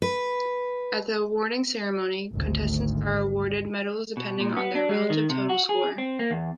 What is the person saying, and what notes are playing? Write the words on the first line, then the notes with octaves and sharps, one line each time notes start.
At the awarding ceremony, contestants are awarded medals depending on their relative total score.
B4
G#1 D2
B2
A#2
B3
D4
G#3
D#3
C3
F#4
G#4
C4
A#3
E2